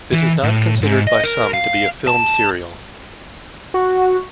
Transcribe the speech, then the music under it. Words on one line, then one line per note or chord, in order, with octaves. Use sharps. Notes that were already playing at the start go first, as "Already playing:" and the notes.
This is not considered by some to be a film serial.
E3
A2
G#2
D#5
A#4
F5
A5
F#4